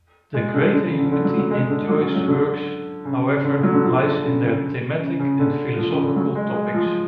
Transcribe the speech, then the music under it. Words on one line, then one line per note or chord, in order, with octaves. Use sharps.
The greater unity in Joyce's works, however, lies in their thematic and philosophical topics.
G#3
D3
D3
C#3
D3
D3
F#3
F#3
G#3
D3
F#3
C#4
F#3
D3
C#3
D3
F#3
D3
F3
D3
C#3
C#3
C#3
D3
F3
C#3
D3
F#3
G#3
G#3
F3